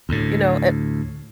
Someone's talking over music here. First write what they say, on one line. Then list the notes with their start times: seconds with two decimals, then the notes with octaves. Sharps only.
You know, it
0.09 D2 A2